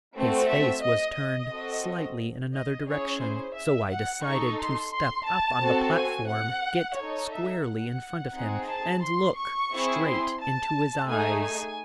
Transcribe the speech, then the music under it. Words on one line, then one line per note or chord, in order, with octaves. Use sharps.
His face was turned slightly in another direction, so I decided to step up on the platform, get squarely in front of him and look straight into his eyes.
A3 C4 F#4 A4
E5
D#5
D#5
C4 F#4 A4
D#5
C#4 E4 G#4 C#5
C5
E5
F#5
D#4 A4 C#6
C6
C6
A5
C4 F#4 A4
G#5
F#5
D#4 A4 C#5
E5
F#5
C4 D#4 G#4
A5
C6
C#6
C4 E4 G#4
C6
A5
A3 D#4 G#4 G#5
G#5